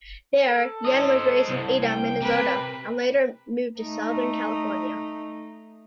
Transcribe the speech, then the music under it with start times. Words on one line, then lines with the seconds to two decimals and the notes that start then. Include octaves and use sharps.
There, Yenn was raised in Ada, Minnesota, and later moved to Southern California.
0.46 A4
0.85 C5 D#5
1.49 C2
1.83 G5
2.22 C3 A#4 B4
3.80 A3 D#4